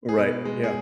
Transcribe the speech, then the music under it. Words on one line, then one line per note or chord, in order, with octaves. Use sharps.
Right, yeah.
G#4
B2 B4
G#3
G#4